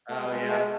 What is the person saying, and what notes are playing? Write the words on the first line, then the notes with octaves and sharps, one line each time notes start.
Oh yeah.
A3
G#3
G3
G#3
A3
G#3